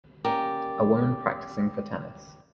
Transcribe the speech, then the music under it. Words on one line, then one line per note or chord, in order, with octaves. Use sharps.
A woman practicing for tennis.
A#3 C#4 G4 A#4 D5